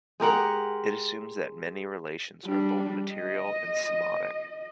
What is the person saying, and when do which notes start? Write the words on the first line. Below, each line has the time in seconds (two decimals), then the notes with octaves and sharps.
It assumes that many relations are both material and semiotic.
0.20 G#3 G4 A#4 F#5
2.45 G3 D4
3.13 D#5